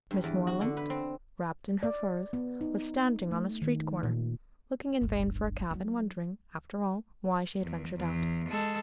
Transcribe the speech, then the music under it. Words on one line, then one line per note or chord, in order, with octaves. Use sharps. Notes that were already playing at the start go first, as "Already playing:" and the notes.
Miss Moreland, wrapped in her furs, was standing on a street corner, looking in vain for a cab, and wondering, after all, why she had ventured out.
G2
E2
F#4
D3
B4
C4
D5
B3
D#4
A3
D#3
A#2
D1 G1
F#3 D#4
E2
E2
G#3 A4